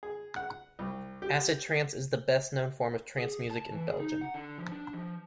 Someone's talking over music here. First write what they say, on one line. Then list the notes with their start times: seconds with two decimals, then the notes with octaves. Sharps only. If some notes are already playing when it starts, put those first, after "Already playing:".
Acid trance is the best known form of trance music in Belgium.
0.03 G#4
0.36 F#5
0.79 C2
1.22 G4
3.18 G#4
3.51 A5
3.73 E3
3.88 G#4
4.00 D#4
4.21 F#5
4.34 D3
4.58 F3
4.72 D4
4.93 F3